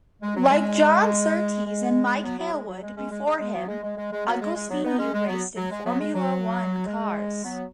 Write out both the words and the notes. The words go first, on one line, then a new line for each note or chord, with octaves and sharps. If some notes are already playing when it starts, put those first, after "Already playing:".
Like John Surtees and Mike Hailwood before him, Agostini raced in Formula One cars.
G#3
F#3
G#3
G#3
F#3 B3
F#3 B3
G#3
F#3
G#3
G#3 C#4
G#3
G#3
G#3
F#3 B3
G#3
G#3
G#3
G#3
F#3 B3
G#3
G#3
F#3 B3
B3 D#4
G#3 C#4
G#3
F#3 B3
F#3
G#3
F#3 B3
G#3
F#3
G#3
F#3 B3